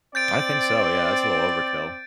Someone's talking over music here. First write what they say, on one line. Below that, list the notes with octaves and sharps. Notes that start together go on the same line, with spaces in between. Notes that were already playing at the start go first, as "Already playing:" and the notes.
I think so, yeah, it's a little overkill.
C4 D5 G6 A6 D7